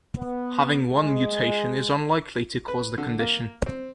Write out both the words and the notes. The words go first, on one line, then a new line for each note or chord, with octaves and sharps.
Having one mutation is unlikely to cause the condition.
B3
G#3
B4
D3
A#3
C4